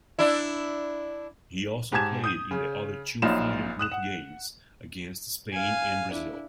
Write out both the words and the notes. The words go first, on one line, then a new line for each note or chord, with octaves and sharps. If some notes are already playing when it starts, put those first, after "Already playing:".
He also played in the other two final group games against Spain and Brazil.
D4 E4
G#2 G4 G#5 A5 G#6 E7
D#6 G6 D#7
C#3
A#1 A#2 F#3 D#4 F4 E7
D#6 F#6 E7
F#5
F5 G#5
D4 E4